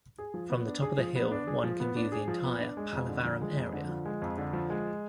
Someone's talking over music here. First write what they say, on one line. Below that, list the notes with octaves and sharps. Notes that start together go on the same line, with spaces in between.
From the top of the hill, one can view the entire Pallavaram area.
G#4
F3
B3
D4
G#4
F3
B3
D4
G#4
F3
B3
D4
G#4
F3
B3
D4
G#3
F2
D3
F3
G#3
F2
D3
F3
G#3
F2
D3
F3
G#3